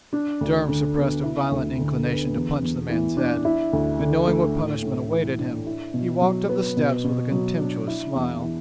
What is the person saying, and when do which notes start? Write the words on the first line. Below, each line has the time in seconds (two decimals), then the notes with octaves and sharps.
Durham suppressed a violent inclination to punch the man's head, but, knowing what punishment awaited him, he walked up the steps with a contemptuous smile.
0.13 D4
0.41 D2
0.69 D3
0.97 B3
1.24 E4
1.51 D2
1.79 D3
2.06 B3
2.34 E2
2.62 E2
2.90 E3
3.17 D4
3.45 E4
3.73 D2
4.00 D3
4.28 A3
4.55 A2
4.82 A2
5.10 E3
5.38 D4
5.66 E4
5.94 B2
6.22 F#3
6.49 B3
6.77 B2
7.04 B2
7.32 F#3
7.60 D4
7.87 E4
8.15 E2
8.42 E3